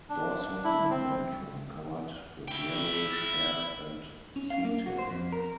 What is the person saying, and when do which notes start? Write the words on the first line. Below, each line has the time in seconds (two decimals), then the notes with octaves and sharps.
Dorsum and ventrum covered with yellowish hairs and setae.
0.09 D4
0.64 E4
0.90 C4
2.48 E4 G5
4.36 C#4
4.50 F5
4.65 A#3
4.86 F#4
4.98 C5
5.10 F2
5.33 A#4